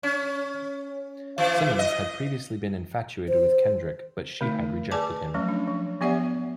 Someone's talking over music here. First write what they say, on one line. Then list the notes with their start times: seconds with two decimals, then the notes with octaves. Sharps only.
Simmons had previously been infatuated with Kendrick, but she had rejected him.
0.03 C#4
1.38 E3
1.79 D#5
3.28 C5
4.41 D3 A3 D#4
4.92 G#4 B4 D5 G#5 A5 D6
5.34 F3 F#3 A3 C#4
5.49 D4
5.67 F3
6.01 F3 B3 G4 D5 E5 F#5